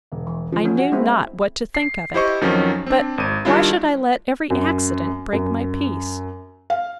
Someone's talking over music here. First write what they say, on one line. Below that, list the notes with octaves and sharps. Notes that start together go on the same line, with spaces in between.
I knew not what to think of it!--But why should I let every accident break my peace?
E1
E3
F3
B3 C#4
F#4
G#3 C4 E4
C7
E4 G4 C5 D#5 C#6
F2 D#3 F3 F#3 C#4
C4 D4
G#1 D#7
D#3 G3 D4 E4 F4
F#2
F#2
F5